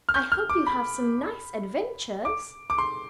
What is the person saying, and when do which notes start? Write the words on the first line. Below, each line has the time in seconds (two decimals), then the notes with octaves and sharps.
"I hope you have some nice adventures!"
0.09 F6
0.14 G6
0.32 F6
0.50 D6
0.67 B5
2.25 D6
2.70 D6
2.78 C6